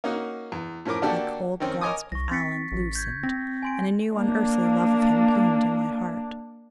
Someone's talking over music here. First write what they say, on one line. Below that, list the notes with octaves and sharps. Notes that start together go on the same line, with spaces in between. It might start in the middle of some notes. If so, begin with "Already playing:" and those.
My cold grasp of Allan loosened and a new unearthly love of him bloomed in my heart.
A#3 C#4 D#4 F#4
E2
A2 F3 C#4 A#4 D6
D3 A#3 D4 F#4 G4 A4
D#3 C4 C#4
A#4 C#5 D#5 G#5 D6 D#6
C2 C#6 A#6
C4 A6 B6 C#7
A1
G6 G#6
C4 A#6
G#5 C6 D7
A#3 D4